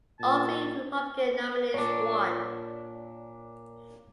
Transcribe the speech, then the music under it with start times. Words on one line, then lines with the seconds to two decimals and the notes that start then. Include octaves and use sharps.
All three Republican nominees won.
0.20 A#2 A5
1.74 A#2 D4 C#5